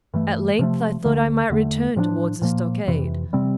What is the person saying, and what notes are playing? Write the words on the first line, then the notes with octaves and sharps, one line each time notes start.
At length I thought I might return towards the stockade.
G2 E3 A3
C3 F3 A3
D2 D3 A3
E2 D3 A3
A2 F3 A#3 D4
A#2 F3 A#3
F2 C3 E3
C3 G3 C4